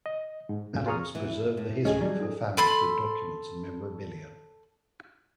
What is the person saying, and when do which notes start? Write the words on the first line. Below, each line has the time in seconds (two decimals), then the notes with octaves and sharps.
Adams preserved the history of her family through documents and memorabilia.
0.06 D#5
0.49 G#2
0.73 C#2 F#2 A2
0.86 F4 G#4 A#5 C#6 D#6 F6
1.15 E3 B3
1.32 D3
1.57 A2
1.85 D1 F2 A3 C#4 G#4 D#5
2.01 F#3 G3 D#4 D5
2.21 D4 E4 A4
2.57 A4 B5 C6